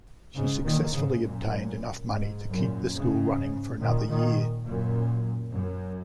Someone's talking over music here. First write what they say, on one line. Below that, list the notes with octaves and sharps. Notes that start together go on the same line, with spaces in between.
She successfully obtained enough money to keep the school running for another year.
G#2 C#3
A#2 D#3
G#2 C#3
F#2 A#2
G#2
F#2 A#2
G#2 C#3
A#2 D#3
A#2 D#3
F#2 A#2
F#2